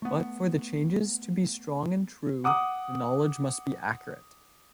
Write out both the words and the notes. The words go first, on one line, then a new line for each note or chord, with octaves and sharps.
But for the changes to be strong and true, the knowledge must be accurate.
A3 B3
F#5 D6 D#6